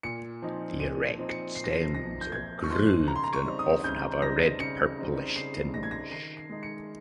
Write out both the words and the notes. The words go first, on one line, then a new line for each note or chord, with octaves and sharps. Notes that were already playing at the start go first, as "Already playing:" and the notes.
The erect stems are grooved and often have a red-purplish tinge.
A#2 C#7
F3 C4 D#4
A#2 D#7
D#7
F3 C4 D#4
C#7
A#2 C7
A#6
C7
F3 C4 D#4 A#6
G6
A#2 G#6
C#6
F3 C4 D#4 C6
C#3 A#5
C6
A#5
C#6
G3 C4 D#4
D#6
C#3 G6
G3 C4 D#4 A#6
C#3 C#7
G3 C4 D#4
C#3 C7
G3 C4 D#4 A#6
G#6
A#6
D#3 C7
C7
G#3 D#4
C#7